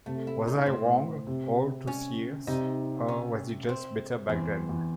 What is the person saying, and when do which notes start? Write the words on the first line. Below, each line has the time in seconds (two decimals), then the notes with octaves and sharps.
Was I wrong all those years, or was he just better back then?
0.06 C3 A3
0.27 E4
0.47 D#4
0.66 A2 C4
1.27 C3
1.87 C#4
2.47 C3 D#4
3.08 C#4
3.69 C4
4.28 E2 C4
4.69 E2